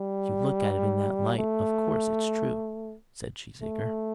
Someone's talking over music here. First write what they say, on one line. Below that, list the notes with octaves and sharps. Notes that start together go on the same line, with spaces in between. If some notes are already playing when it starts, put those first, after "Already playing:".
"If you look at it in that light, of course it's true," said Cheesacre.
Already playing: G3
A3
A3